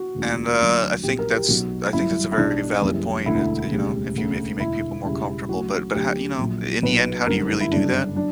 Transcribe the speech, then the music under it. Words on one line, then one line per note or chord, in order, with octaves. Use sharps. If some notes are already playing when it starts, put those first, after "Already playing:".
And, uh, I think that's I think that's a very valid point, uh, you know, if you if you make people more comfortable, but but how, you know, in the end, how do you really do that,
Already playing: F#4
E1 D2 C#3 E3
D2 D3 F#3
A#1 A#2 F#3 G4
A#4
G4
B1 B2 F#3 F#4
G1 G2 F#3 E4
E4
B1 B2 G3 D4
F#1 F#2 E3 G3
E1 D2 D3 E4
E1 D2 C#3 G3
E1 D2 C#3
E1 E2 D3 E4
E1 E2 C#3 G3 E4
D2 C#3 F#3 F#4
D2 D3 F#3 G4
A#1 A#2 F#3
B1 A#2 F#3 B4
G1 F#2 D3 G3 A#4
E4
G1 F#2 C#3 D4
F#3 D4